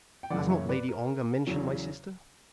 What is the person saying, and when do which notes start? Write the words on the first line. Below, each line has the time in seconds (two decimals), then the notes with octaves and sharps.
Has not Lady Ongar mentioned my sister?
0.23 G5
0.30 F#1 F#2 C#3 E3 D5 F#5
0.50 C#5 E5
0.69 B4 D5
0.89 A#4
1.47 E2 C#3 F#3 C#4